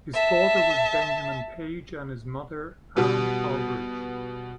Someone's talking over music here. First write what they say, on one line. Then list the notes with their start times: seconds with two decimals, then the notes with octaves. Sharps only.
His father was Benjamin Page and his mother Ann Aldrich.
0.13 E5 A5
2.97 B2 G3 B3